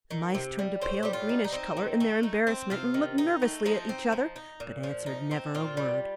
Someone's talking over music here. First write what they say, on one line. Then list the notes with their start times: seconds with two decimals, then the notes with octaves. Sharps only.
The mice turned a pale greenish color in their embarrassment and looked nervously at each other, but answered never a word.
0.11 D#3
0.35 C3
0.59 G3
0.82 A2 C5
1.03 G3 G4
1.13 F4
1.29 D#4
1.44 D#4
1.52 C4
1.77 D#3
2.00 A3
2.23 D#4
2.47 C4
2.70 C3 F4
2.94 D#3
3.18 D#4
3.42 A3
3.66 F3 D#4
3.89 C4
4.12 F3
4.36 D#4
4.60 A#2
4.83 F3
5.06 D#4
5.31 C4
5.55 A#2 F4
5.77 G3